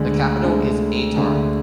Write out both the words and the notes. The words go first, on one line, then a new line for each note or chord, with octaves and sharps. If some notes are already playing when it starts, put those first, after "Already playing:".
The capital is Atar.
Already playing: D2 D3 G#3
D2 D3 G#3
D2 D3 G#3